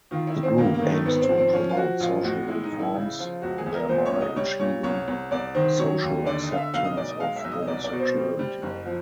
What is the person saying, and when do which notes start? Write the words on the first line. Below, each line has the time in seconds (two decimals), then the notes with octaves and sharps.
The group aims to "promote social reforms thereby achieving social acceptance of homosexuality".
0.11 D#3 F4
0.27 E4
0.35 D#3
0.43 C4
0.58 G2 A#3
0.74 A#3
0.82 D#3 G#3
0.89 A3
1.05 G#1 B3
1.21 C4
1.29 F3
1.37 C4
1.53 F3 C#4
1.69 F4
1.76 F3 F#4
2.00 A1 F4
2.23 A2 F#4
2.47 G#3 E4
2.63 D#4
2.72 A1
2.79 E4
2.94 C#3 E4
3.19 F3 F4
3.42 C#2 F#4
3.58 G#4
3.66 C#2
3.74 A#4
3.89 A#2 C5
4.06 C#5
4.13 C2
4.20 D#5
4.36 G3 C#5
4.60 A#2 C#5
4.83 C2 C#5
5.08 C2
5.31 C2 D5
5.55 D#3 C5
5.78 F#3 C#5
6.02 D#2
6.25 D3 D5
6.42 D#5
6.50 D3 F5
6.57 E5
6.74 B1 F5
6.84 D#5
6.97 B1 D5
7.08 D#5
7.20 G#3 F5
7.36 E5
7.44 B1
7.51 D#5
7.62 D#5
7.67 C2 D5
7.84 D5
7.92 B2
7.99 C5
8.15 G3
8.39 G3
8.62 F#1
8.85 F3